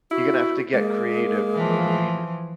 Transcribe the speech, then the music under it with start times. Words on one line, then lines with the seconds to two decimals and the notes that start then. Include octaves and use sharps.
You're gonna have to get creative, I mean,
0.11 E4 F#4
0.74 G#3 A#3
1.54 E3 F3